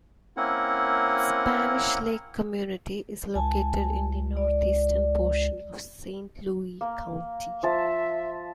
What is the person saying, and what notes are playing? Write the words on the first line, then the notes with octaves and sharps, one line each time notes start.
The Spanish Lake Community is located in the northeastern portion of Saint Louis County.
A#3 C4 C#4 E4 A#4 F#5
C#2 G#5 A5
D5
A#3
F3 E5 A5